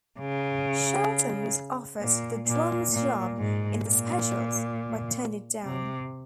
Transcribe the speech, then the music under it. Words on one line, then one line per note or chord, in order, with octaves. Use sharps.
Shelton was offered the drummer's job in The Specials but turned it down.
C#3
A#2
A#2
A#2
G#2
A#2
C3